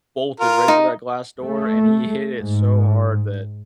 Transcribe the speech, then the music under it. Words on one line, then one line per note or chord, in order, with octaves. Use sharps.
bolted right for that glass door, and he hit it so hard that,
F4 A#4
D#4 D#5
A3
G#2